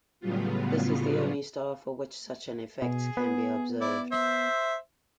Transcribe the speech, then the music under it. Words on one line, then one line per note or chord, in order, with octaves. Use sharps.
This is the only star for which such an effect can be observed.
A2 C#3 F#3 G3 B3 F4
B2 G#4
B3
E4 D5
C5 E5